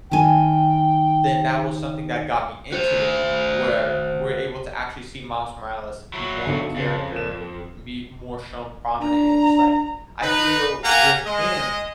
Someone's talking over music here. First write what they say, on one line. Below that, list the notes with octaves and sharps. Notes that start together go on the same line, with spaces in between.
then that was something that got me into it where we're able to actually see Miles Morales be more of a character and be more shown prominent, and just, like I feel with him,
D#3 G5 G#5
F#4 C5
F#3 E4
B1 D3 C#7
F2 C#3
E7
D4 A#5
D#4 B4
A#3 G4 F5 F#5 G#5 A#5
G#3 D#5